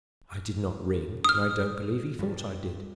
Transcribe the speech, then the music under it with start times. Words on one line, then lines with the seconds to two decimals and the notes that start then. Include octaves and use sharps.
I did not ring, and I don't believe he thought I did.
1.24 D#6 F6
2.19 G2 G3